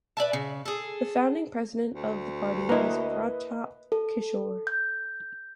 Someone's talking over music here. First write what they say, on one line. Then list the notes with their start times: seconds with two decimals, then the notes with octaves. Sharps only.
The founding president of the party was Pratap Kishore.
0.17 B4 D5 E5 A5
0.33 C#3
0.66 G#4 A4
1.94 D2
2.69 A#3 E4 B4 D#5
3.92 A4
4.67 G6